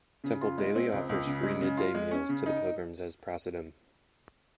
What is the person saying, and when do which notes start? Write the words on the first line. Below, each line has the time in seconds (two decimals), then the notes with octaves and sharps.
Temple daily offers free mid day meals to the pilgrims as a prasadam.
0.24 C#3
0.41 F4
0.58 G#3
0.75 C4
0.92 C#2
1.09 C#2
1.26 C#3
1.43 G#3
1.61 C#3
1.77 F4
1.94 G#3
2.11 C#4
2.29 C#3
2.46 D#4